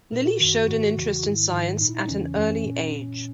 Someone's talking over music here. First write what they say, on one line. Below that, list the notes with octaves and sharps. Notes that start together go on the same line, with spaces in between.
Lilly showed an interest in science at an early age.
A#2 A#4
F#4
F#2 D#3 F#4
F#4
G#2 D#3 F#4
E2 C#3 E3
F#4
G#2 D#3 E4
G#2 D#3
A#2 D#4
E4
D#4
E2 C#3 E3 C#4
F#2 E3 C#4
A#2